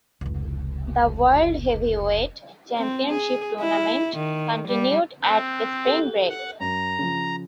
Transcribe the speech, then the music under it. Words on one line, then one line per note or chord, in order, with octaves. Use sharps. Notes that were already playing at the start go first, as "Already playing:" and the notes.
The World Heavyweight Championship tournament continued at Spring Break.
F1 C#2
C4
G#4
E4
D#3
G3
C4 F#6 G6 B6
G4 A4
F#5
F#2 A#5
C#3 F3